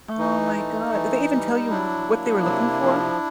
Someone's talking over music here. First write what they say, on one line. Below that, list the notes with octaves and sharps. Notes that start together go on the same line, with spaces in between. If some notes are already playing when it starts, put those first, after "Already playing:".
Oh, my god, did they even tell you what they were looking for?
E3 D#4
A3
E3
G3
F#3 D4 E4
A#3
C3
F3